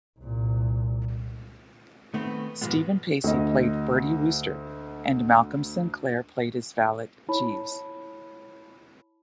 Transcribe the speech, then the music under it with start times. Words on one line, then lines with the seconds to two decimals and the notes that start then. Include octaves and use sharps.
Steven Pacey played Bertie Wooster and Malcolm Sinclair played his valet Jeeves.
0.20 C2 A#2
2.14 D#3 A3 B3 C4
2.62 D#2 G#2 B2 F3 G#3 B3
3.24 D2 D#5
7.29 E4 C#5 A5 B5